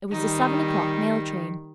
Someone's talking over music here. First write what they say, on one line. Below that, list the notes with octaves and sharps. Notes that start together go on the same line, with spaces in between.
It was the seven o'clock mail train.
D#3 G3 D#4